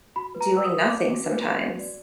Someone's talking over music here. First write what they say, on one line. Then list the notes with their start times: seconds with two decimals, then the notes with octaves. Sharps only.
doing nothing sometimes.
0.16 F#4 B5
0.35 B4
0.41 A#5
0.53 F#4 E6
0.65 D#6
0.71 B4
0.88 D5 D6
1.07 F#4
1.24 B4
1.42 B4
1.61 F#4
1.79 D5